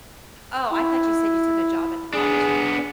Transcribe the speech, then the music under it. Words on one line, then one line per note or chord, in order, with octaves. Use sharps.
Oh, I thought you said you took a job at the coffee shop.
E4
B3 D4 G#4